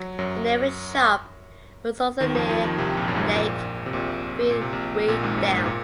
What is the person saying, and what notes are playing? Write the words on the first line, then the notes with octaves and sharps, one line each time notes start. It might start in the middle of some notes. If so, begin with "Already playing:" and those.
The nearest shop is also near Lake Vyrnwy Dam.
Already playing: F#3
F#2 F#3
D#2 D#3
F2 F3
F2 F3
D#2 D#3
C2 C3
A#1 A#2
F#2
G#1 G#2
A#1 A#2
C3
A#1 A#2
A#2
C3
A#1 A#2
A#1 A#2
G#1 G#2
F#2
G#1 G#2
A#2